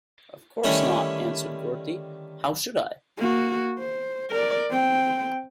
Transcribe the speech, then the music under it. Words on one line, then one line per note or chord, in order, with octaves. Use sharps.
"Of course not," answered Dorothy; "how should I?"
D3 D#3 G3 A3 C#4 E4
A#3 F#4
C5
A#4 D5
C4 G5